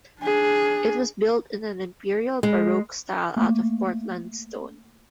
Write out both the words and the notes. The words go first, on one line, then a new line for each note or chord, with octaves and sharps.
It was built in an Imperial Baroque style out of Portland Stone.
D4 G#4
G#3
A3 A#3